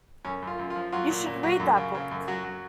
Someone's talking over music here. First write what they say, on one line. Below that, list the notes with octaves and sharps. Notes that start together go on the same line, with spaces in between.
You should read that book.
F#2 C#4
F#2 F4
F#2
F4
F3
F#3 F4
A#2
A#2
F#3
F#2
C#3
C#3
F#2
F#3 F#4
F#3